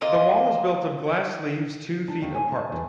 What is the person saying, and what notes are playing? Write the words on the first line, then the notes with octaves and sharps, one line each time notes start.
The wall is built of glass leaves two feet apart.
A#3 F4 C5 D#5
D4
D#2
G#5
A5
E2